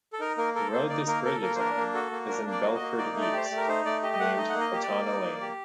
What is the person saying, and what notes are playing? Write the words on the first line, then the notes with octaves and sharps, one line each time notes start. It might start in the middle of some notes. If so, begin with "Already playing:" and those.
The road this bridge is on, is in Belford East, named Pothana Lane.
A4
D#4 A#4
A#3 A#4
A4 A#4
A#3 C5
D#4 D5
A#3 A#4
A4 A#4
A#3 A#4
C5
D4 A#4
A#3
F#4 A4
A#3
D4 A#4
A#3
D5
F#4
D#5
A#3
D#4 D5
A3
D5
G4 C5
D5
A3
A#4
D#4 C5
A3 D5
G4 D#5
D#5
A3 F#5
D#4 D#5
A#3 F#5
D#5
G4
D5
A#3
D#4
A#3
G4